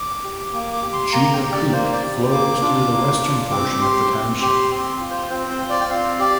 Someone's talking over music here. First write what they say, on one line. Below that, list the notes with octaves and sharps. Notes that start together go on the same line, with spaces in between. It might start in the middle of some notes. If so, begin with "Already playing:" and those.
Joula Creek flows through the western portion of the township.
Already playing: D6
G4
A#3 D6
D6
G4
C6
A#3 A#5
G5
G4
D5
A#3 C5
D5
G4
A#3 D6
D4 F4
A#3
D4
F4
C4 D6
G4 C6
C4
G4 C6
C4 C6
F4
C5
C4 C5
C5
F4
D5
G5
C4 F5
G4 D5